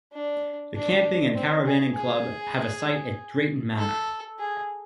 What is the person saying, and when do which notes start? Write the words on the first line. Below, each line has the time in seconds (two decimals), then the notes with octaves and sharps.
The Camping and cravanning club have a site at Drayton Manor.
0.13 D4
0.75 D4
1.35 C4
1.66 G#4
1.96 G#4
3.78 A4
4.39 G#4